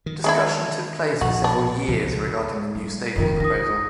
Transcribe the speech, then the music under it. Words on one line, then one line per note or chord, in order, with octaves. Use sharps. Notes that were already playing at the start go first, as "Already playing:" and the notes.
Discussion took place for several years regarding the new stadium proposal.
D#3
G#3 D4 E4
A#1 B2 F#4
D4
C#2 B2 F3
G3
F1 D#3 F4 A#4
D#4 D#6 A#6